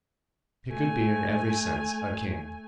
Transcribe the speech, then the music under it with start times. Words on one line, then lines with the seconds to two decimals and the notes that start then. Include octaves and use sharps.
He could be in every sense a king.
0.70 A3 G#5